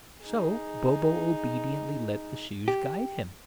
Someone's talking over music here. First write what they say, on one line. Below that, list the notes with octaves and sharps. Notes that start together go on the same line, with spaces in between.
So Bobo obediently let the shoes guide him.
D#4 G#4
G4